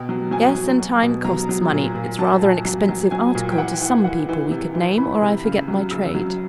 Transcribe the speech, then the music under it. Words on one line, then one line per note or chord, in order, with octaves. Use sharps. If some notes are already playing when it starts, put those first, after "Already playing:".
Yes, and time costs money; it's rather an expensive article to some people we could name, or I forget my trade.'
Already playing: B2 G5
F#3
F#3 G#5
F#3
F#3
B2
F#3 A#5
F#3
A#2
A#2
F#3 A5
A#2
F#3
F#3
F#3 G#5
A#2
G5
E3 F#5
E3
E3 F#5
E3
C3
E3
E3 B5
C3
C#3
F#3
C#3 E6
F#3